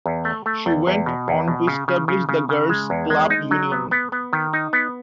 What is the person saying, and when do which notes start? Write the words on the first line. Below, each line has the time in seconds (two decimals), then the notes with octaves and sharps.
She went on to establish the Girls Club Union.
0.06 E2
0.25 A3
0.46 A3
0.66 E2
0.87 E2
1.06 B2
1.28 E2
1.48 B2
1.67 C#3
1.88 C#3
2.08 C#3
2.29 C#3
2.49 C#3
2.69 G#3
2.90 E2
3.10 G#3
3.30 D#4
3.51 F#3
3.72 B3
3.91 B3
4.12 B3
4.33 D#3
4.53 D#4
4.73 B3